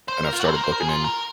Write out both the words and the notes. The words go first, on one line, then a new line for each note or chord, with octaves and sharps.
and I've started looking in
C5
A#4
F4
F#4
C5
A#4
C5
A#4
G#4
F4
A#4